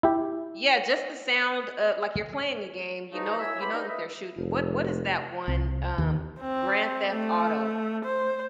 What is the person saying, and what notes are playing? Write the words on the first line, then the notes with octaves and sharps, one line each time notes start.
Yeah, just the sound, uh like, you're playing a game, you know you know that they're shooting, what what is that one, um, G grand Theft Auto?
E4 G4
C#3 E3 F3 A3 D#4
B2 E4 C#5 E5 G#5 E6
A2 A3 B3 C5 D5 B5
G2 D#4
B4 D#5 E5
F1
C2
D#2
C4
A3
C5